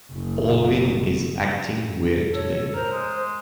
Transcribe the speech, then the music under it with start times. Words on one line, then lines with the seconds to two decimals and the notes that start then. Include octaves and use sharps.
Alvyn is acting weird today.
0.12 F#1
2.33 A4 C#5
2.74 A#4 C5
2.92 G#3